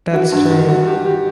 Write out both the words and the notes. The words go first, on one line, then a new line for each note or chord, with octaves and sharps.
That's true.
F#4
G2
F#4
F#4
G4
G4